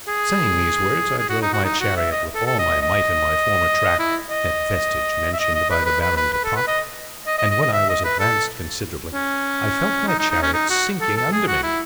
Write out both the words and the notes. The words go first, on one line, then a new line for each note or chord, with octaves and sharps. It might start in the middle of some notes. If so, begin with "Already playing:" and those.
Saying these words, I drove my chariot with all my might in my former track, that vestige mentioned by the Baron de Tott, and when I was advanced considerably, I felt my chariot sinking under me.
G#4
G#4
F#4
D#4
F#4
D#4
F#4
E5
D#5
A4
A4
D#5
D#5
E4
D#5
E5
D#5
D#5
B4
B4
B4
B4
B4
A4
B4
D#5
D#5
D#5
D#5
D#5
E5
D#5
B4
A4
C#4
D#4
D#4
D#4
C#4
D#4
F#4
A4
A4
G#4
F#4
E4